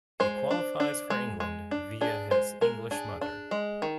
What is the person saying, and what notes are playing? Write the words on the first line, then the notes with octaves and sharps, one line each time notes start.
He qualifies for England via his English mother.
G#3 C5
D4
D4
G#3
G#3
D4
D4 G#4
G#3 C5
G#3 A#4
D4 G#4
D4
G#3
D#3